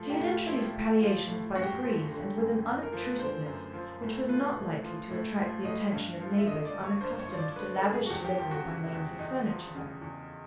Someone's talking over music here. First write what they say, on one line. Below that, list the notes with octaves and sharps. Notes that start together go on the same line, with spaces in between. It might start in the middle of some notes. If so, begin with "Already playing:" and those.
She had introduced palliations by degrees and with an unobtrusiveness which was not likely to attract the attention of neighbours unaccustomed to lavish delivery by means of furniture vans.
Already playing: A2 F3 A4
G4
A2
F4
F3 E4
A2
F3
A2
F#2 F#4
G4
F#4
F3
D3
F#2
F#2
A#4
F3
B4
D3 C5
F#2
F3
A2
F3 B4
A2
F3
A2
F3
A2 D#5
G2
F3
E5
D3 D#5
D5
G2
C#5
G2 C5
C#5
F3
D5
D3 B4
A4
G2
G#4
F#4
E2 G4
G4
F3 G4
F#4
C#3
E4
E2
E2 D#4
F3
C#3
E2